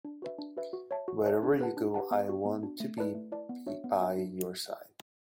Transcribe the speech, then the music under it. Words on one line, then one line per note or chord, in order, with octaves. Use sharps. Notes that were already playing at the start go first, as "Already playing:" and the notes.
Wherever you go, I want to be by your side.
D4
F#4 B4 E5
D4
F#4 B4 E5
F#4
C#5 E5 A5
F#4
C#5 E5 A5
D4
G4 B4 F#5 A5
D4
G4 B4 F#5 A5
B3
D4 F#4
B3
D4 F#4
A3
E4 B4 D5 A5
A3
E4 B4 D5 A5
B3
D4 F#4 C#5 E5
B3
D4 F#4 C#5 E5
D4